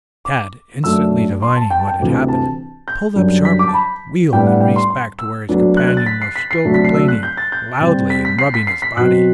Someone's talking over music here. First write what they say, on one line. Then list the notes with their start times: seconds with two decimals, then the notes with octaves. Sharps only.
Tad, instantly divining what had happened, pulled up sharply; wheeled and raced back to where his companion was still complaining loudly and rubbing his body.
0.25 D6
0.84 F#2 F#3 A3 D4 E6
1.42 C6
1.56 A5
1.70 G5
1.80 A5
1.87 G5
1.99 D2 C3 E3
2.28 A5
2.88 G6
3.16 F#2 D3 G3 D4
3.45 B6
3.59 D6
3.68 A5
3.74 B5
4.33 A2 G3 B3 D4 G5
4.47 F#5
4.61 G5
4.76 C6
4.90 C6
5.19 E6
5.49 D2 D3 F#3 B3 D4
5.77 F#6
5.88 F#6
5.97 A6
6.06 B6
6.22 C7
6.36 B6
6.51 C7
6.64 D2 C3 F#3 A3 D4
6.74 B6
6.85 C7
6.94 E6
7.08 F#6
7.23 G6
7.37 A6
7.52 G6
7.80 C3 G3 C4
8.10 B6
8.25 B6
8.38 C7
8.54 B6
8.67 C7
8.82 B6
8.97 B2 F#3 C4 F#6